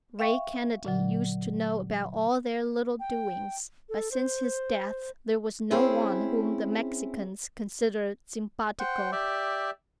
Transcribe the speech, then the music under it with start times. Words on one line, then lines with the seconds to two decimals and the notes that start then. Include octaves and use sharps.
Ray Kennedy used to know about all their little doings, but since his death there was no one whom the Mexicans considered SIMPATICO.
0.19 E5 F5 G5 C#6
0.85 A#2 D3 F#3
3.00 G5
3.89 A4
4.11 C5
5.71 C4 C#4 E4 G#4
8.80 C5 F#5 G5
9.12 G4 D5 E5